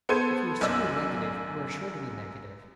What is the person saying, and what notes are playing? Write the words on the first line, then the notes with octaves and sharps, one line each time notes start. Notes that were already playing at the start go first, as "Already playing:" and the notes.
If you assume the negative you are sure to be negative.
B3 A4 C5 C6 G#6 D#7
B1 F#2 D5 E6